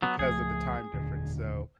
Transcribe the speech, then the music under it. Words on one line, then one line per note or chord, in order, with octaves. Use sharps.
because of the time difference, so,
F#3 B3
C#2 F3 A3 G#4
D#1 D3